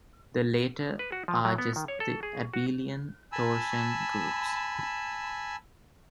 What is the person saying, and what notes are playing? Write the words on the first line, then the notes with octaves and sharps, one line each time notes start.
The latter are just the abelian torsion groups.
B4
F#4
F3
F#3
B3
D#3
C#5
A4
G#4
F#4
G#5 A5 B5 E6